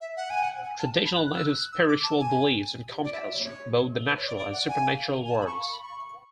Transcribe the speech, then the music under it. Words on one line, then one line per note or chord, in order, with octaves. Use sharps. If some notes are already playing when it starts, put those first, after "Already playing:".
Traditional native spiritual beliefs encompassed both the natural and supernatural worlds.
E5
F#5
G#5
F#5
G#5
A5
B5
F#6
F#6
E6
F#6
F#6
E6
D6
A5
G#5
D5
E5
C#5
C#5
B4
C#5
D5
D5
F#5
G#5
G#5
A5
B5
C#6
C#6
B5
C#6